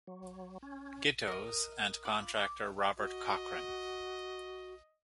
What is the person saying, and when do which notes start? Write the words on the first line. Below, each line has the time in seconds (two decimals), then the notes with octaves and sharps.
Gittos, and contractor Robert Cochrane.
0.07 F#3
0.63 C#4
1.27 A#4 D#5
2.05 F4 B5 D6
2.37 D6
2.98 F#4 D#5